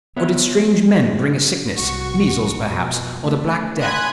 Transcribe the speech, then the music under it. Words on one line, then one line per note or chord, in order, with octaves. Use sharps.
Or did strange men bring a sickness--measles, perhaps, or the black death?
B3 C#5 E5
C2 F#4 C#6
F2 B2
A3
G#5 B5 C6 D#6 F#6 G#6